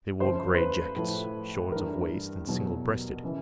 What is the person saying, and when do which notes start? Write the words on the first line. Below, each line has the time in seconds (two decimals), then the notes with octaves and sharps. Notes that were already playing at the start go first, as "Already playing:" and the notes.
They wore gray jackets, short of waist and single-breasted.
0.20 F#2 C#3 F3 C5
0.54 C5
0.58 B4
0.96 A2 F3
1.72 G2 E3 A#4
2.47 E2 B2 F#3
3.24 C#3 E3